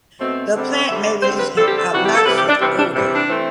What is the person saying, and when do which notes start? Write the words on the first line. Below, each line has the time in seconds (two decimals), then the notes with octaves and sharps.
The plant may release an obnoxious odour.
0.18 B2 A3 C4
0.54 D3 G3 C4
0.88 D3 G3 C4 E5
1.05 D5
1.22 D3 G3 C4 C5
1.39 B4
1.56 D3 G3 C4 A4
1.67 G4
1.78 A4
1.91 C3 E3 G3 F#4
2.05 G4
2.15 A4
2.25 C3 E3 G3 B4
2.37 G4
2.48 D4
2.60 C3 E3 G3 C4
2.78 D4
2.95 C3 E3 G3
3.12 D4
3.29 E3 A3 C4